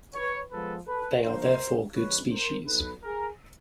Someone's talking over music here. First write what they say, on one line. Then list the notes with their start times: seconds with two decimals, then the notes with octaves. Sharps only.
They are therefore good species.
0.15 B4 C#5
0.52 F3 G#3 B3 A4 B4
0.87 A4 B4
1.23 D3 F3 A#3 D4 A#4 C5
1.96 D3 F3 G#3 B4 C#5
2.31 A#4 C5
2.67 F#3 B3 D#4 A4 B4
3.03 G#4 A#4